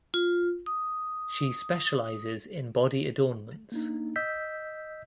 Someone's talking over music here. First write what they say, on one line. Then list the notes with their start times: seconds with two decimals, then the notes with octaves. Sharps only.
She specialises in body adornments.
0.14 F4
0.66 D#6
3.72 A#3 D4 D#4
4.16 D#5 E6 G6 B6